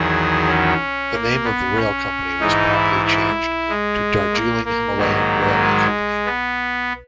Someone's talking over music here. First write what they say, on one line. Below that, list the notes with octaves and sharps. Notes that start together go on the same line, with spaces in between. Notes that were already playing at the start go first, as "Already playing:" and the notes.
The name of the rail company was promptly changed to Darjeeling Himalayan Railway Company.
Already playing: E2 D#3 F#3 G#4
C#4
A#3
B3
C#4
G#2 E3 D#4
E4
E4
G#3
A#3
A#3
G#2 D#3 F#3
G#3
B3